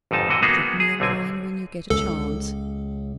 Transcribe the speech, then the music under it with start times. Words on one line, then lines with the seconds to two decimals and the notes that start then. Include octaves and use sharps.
"Drop me a line when you get a chance."
0.11 G1 F2 G#2 D#4 A5
0.28 A#2 D3 E3 F#4 D#5
0.42 G#3 A#3 B3 D#4 F#4 G#4
0.80 G#4
1.00 B1 D3 C4 G#5
1.90 C#2 A4